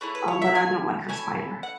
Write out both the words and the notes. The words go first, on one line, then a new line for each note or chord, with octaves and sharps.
um, but I don't like her spider.
A3 C#4 E4 G#4
B4
C#5
E5
G#5
C#4 E4 A4 G#5
F#5